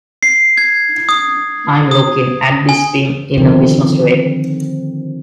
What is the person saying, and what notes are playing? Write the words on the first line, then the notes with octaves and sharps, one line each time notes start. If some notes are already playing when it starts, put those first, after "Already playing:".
I'm looking at this thing in a business way.
C7
G#6
D#6
D#6
G#5
D3 D#3 F3 C4